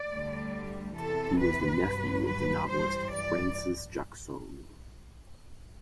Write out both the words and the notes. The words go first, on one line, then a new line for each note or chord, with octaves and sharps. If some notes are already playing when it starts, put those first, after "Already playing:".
He was the nephew of the novelist Frances Jacson.
Already playing: D5
D2 D3 G3
E2 C3 E3 A4
B4
G2 F#3
B4
G2 E3 G3 C5
D5